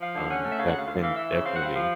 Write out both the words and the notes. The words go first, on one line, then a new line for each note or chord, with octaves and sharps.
Um, back then, definitely.
F3 F5
D3
C#4 F#5
A3
E5
C#3 F5
F#5
D2 F5
D2 F5
E3 F5
E3 E5
C#3
C4 F5
F#5
G3 F5
F3 F5